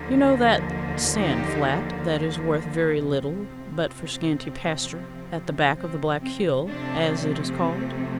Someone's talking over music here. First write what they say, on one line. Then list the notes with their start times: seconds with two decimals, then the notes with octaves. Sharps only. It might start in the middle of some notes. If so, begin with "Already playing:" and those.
You know that sand flat, that is worth very little but for scanty pasture, at the back of the Black Hill, as it is called.
Already playing: D#2 D3 F3 A#3
1.16 D#4 G4
3.00 C3 F3 C4
5.76 C4
6.21 C4
6.68 C3 F3 A3 C4 D4